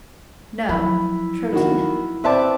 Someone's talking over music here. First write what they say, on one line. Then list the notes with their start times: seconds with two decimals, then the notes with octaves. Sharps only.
"No, Troutina."
0.69 F3 F#3 E4 B4
1.52 D#3 A#3 F#4
2.24 C4 B4 D5 E5 A5